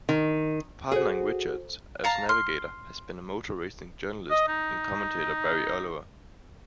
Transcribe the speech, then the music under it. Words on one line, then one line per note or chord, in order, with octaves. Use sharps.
Partnering Richards as navigator has been motor racing journalist and commentator Barry Oliver.
D#3
F#4 G#4 A4 C5
F5 A5 A#5
C6 F6
D#5
D#4